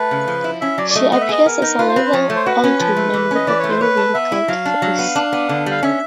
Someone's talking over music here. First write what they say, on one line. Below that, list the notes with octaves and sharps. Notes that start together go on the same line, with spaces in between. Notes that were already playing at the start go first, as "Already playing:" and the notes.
She appears as a little old woman with a very wrinkled face.
Already playing: A3 B4
C#3
F3
E4
C#4 E5
F#3 D5
D5
A3 D#5
B3 D#5
E5
G#4 D#5
B3 A#4
D#4
F4 B4
C5
C4 B4
C5
F3 C#5
A3
C5
F#4 B4
C#4
F3
A3
E3
C#4 D#5
E3 D5
A3 C#5
C5
B4 C#5
A4
B3 E5
E4
F#3 F5
D4
F#3
B3
D4
B3
D3
G3 F5
C#4 E5